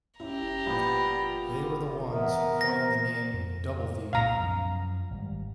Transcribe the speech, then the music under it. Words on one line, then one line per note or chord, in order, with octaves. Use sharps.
They were the ones who coined the name 'Doubleview.
C#4 E4 G4 A#5
A#2 F3 G3 B3
E3 B3 A#4 E5
C5 A#6
F2
C2 A#2 B3 F5 A#5
F#2 F3
G#1 G3